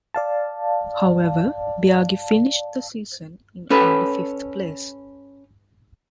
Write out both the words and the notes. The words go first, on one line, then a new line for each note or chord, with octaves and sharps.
However, Biaggi finished the season in only fifth place.
D5 F5 A5
C#4 A4 B4